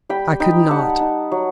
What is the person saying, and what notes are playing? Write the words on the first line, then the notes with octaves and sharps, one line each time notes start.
I could not.
G3 G5 B5
D#4 G5 B5
G3 F#5 A5
D#4
F#3